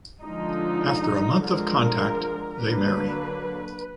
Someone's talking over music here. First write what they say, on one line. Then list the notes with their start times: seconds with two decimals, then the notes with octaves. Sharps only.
After a month of contact, they marry.
0.24 D3 F3 G#3 D#4
1.41 D3 F3 G#3 A#4
2.58 D3 F#3 A#3 D4 B4